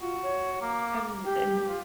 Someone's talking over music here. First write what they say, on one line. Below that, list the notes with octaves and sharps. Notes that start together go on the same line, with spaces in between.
And and
F4 F#4
C#5
A#3 D6
G4 G5
F4